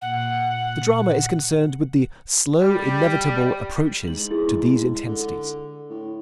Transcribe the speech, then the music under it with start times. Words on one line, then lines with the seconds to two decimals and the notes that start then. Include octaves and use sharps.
The drama is concerned with the slow, inevitable approaches to these intensities.
0.02 A#2 F#5
2.62 G3
4.07 G#2 F#7
4.31 E4 G#4
5.08 D3
5.90 A2